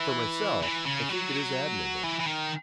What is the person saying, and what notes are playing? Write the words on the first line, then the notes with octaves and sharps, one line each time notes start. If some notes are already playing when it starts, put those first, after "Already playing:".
For myself, I think it is admirable.
Already playing: E3
E3
C#3
F#3
E3
E3
D#3